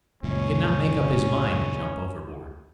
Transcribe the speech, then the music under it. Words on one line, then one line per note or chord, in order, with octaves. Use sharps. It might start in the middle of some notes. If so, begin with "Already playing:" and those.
He could not make up his mind to jump overboard.
C#2 F#2 A#2 C#4